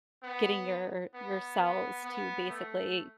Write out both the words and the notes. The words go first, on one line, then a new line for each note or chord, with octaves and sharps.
getting your your cells to basically
B3
B3
B3
B3
A3